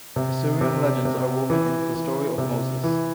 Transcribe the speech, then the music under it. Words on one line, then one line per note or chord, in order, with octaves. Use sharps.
Assyrian legends are woven into the story of Moses.
C3
C3
C3
E3
E3
C3
E3